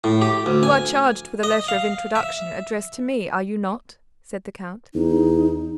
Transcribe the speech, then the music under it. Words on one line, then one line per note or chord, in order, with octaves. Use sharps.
"You are charged with a letter of introduction addressed to me, are you not?" said the count.
A2
G4
D2
G#5
D#5
F5
E5
E2 D#4